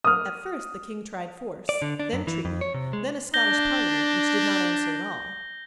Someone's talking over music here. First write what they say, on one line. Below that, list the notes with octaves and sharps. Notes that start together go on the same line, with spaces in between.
At first the King tried force, then treaty, then a Scottish Parliament which did not answer at all.
D#6 F6
D5
D3
D4
F#2
E3
F2
C#5
C3
G#3
D4 G6 A#6 G7